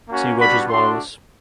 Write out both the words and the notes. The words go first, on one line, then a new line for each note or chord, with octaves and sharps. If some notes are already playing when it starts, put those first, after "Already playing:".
See Rogers Wireless.
A#3 C#4 F#4
G3 B3 D4 F#4 B5
A3 D4 F#4 C6